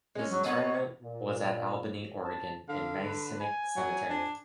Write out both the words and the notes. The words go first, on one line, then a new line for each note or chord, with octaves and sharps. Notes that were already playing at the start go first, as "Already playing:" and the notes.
His interment was at Albany, Oregon in the Masonic Cemetery.
G#3 C#4
F#3
A#2 A#3 B3 C#5 D#5 F#5 C#6
A#2
A5
D3 F5
B4
G#5
F#3
D4